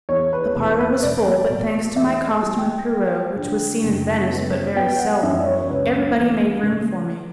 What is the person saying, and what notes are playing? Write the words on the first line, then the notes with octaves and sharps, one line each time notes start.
The parlour was full, but thanks to my costume of Pierrot, which was seen in Venice but very seldom, everybody made room for me.
E2 C#5
B4
E1 B4
B4
E1 D5
B2
E2 E5
G3
G5
A#3
D3
F#1
B3
B3 G5
F#5
F#2 E5
D5
C#5
C#5
C#2 B4
E3
C#3